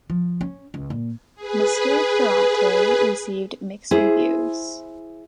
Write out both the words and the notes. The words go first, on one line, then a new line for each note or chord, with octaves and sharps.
Mr. Karate received mixed reviews.
F3
C#4
C#2
A#2
G#4 B4
E4 G#4 C5